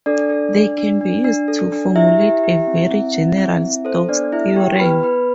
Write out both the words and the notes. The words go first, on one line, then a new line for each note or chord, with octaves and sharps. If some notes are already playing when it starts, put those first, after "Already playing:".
They can be used to formulate a very general Stokes' theorem.
D4 A4 D5
A4
D4
D4
D4
D4
A4
D4
E4 G4 E5
G4
G4
C4
C4
C4
C4
C4
A4 C5
B3 D4 D5
E4 A4 E5
E4 G4 G5
B3 B4 B5
B3 B4 B5